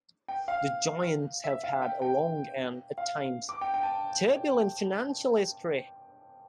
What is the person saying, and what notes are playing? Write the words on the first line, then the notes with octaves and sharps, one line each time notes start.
The Giants have had a long and, at times, turbulent financial history.
G5
F5
E5
F5
G5
G5
F5
D6
G5
G5
A5